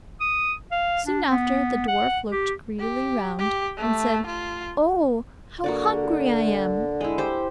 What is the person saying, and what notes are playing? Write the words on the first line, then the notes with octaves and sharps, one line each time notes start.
Soon after the dwarf looked greedily round, and said: 'Oh! how hungry I am!'
D#6
F5
D4
B3
F#5
G4
G4
G4
A3
F4
D3 A#3 F#4 D5
G#3 E4
G4 C5